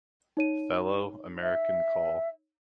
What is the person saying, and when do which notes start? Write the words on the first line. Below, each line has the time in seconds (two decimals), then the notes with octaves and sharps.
Fellow, American Coll.
0.37 D#4 C#5 D#7
1.43 E5